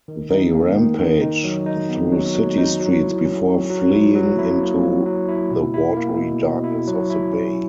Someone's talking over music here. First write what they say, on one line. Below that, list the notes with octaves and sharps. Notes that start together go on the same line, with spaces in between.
They rampage through city streets before fleeing into the watery darkness of the bay.
D#3
D#4
A#3
D#3
D#3
D#4
F#3
D#4
B3
F#3
F#3
D#4
F#3
E4
C#4
F#3
F#3
E4
F#3
E4
A#3
F#3
F#3
E4
B2
E4
A#3
B2
B2
E4
F#3
E4
C#4